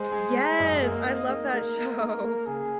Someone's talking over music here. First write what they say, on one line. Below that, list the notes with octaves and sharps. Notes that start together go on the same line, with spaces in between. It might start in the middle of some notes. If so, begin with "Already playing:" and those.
Yes! I love that show.
Already playing: G#3 C5
G#4
G#3
F#2 D#5
A#3
D#4 D#5
A#3
A#3 A#4
D#4
A#3
A#3
C#3 G#4